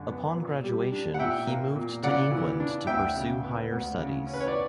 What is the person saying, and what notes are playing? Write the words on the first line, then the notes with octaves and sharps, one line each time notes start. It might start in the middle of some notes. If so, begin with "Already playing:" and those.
Upon graduation, he moved to England to pursue higher studies.
Already playing: F#2 D3
B3
A#2
G3
D4
F#5
A#2 E5 G5
A#3
A#2
C#3 D5 F#5
E3
D4
D2 E5 G5
C#3
B3
D2
C#3
C#4
B4
C#5
D5